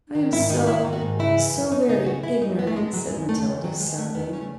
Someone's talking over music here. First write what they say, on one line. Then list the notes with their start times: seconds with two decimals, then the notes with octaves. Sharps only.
"I am so--so very ignorant," said Matilda, sobbing.
0.15 D#3
0.32 G#2 E4
0.49 D#3 D#4
0.67 G#2 E4
0.84 D#3
0.93 F#4
1.02 G#2
1.19 C#3 E4
1.37 E3
1.54 F#2
1.71 F#2 D#4
1.89 C#3 D#4
2.06 E3 F#4
2.23 E3 E4
2.41 F#2 D#4
2.58 E3 B3
2.67 A3
2.76 F#2 G#3
2.93 E3 F#3
3.11 F#2 G#3
3.28 D#3 A3
3.46 E2 G#3
3.63 D#3 F#3
3.80 E2 G#3
3.98 D#3 A3
4.15 E2 B3
4.33 C#3 C#4
4.41 A3